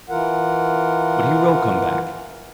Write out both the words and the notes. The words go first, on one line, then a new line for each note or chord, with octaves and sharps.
But he will come back.
E3 F4 A#4 F#5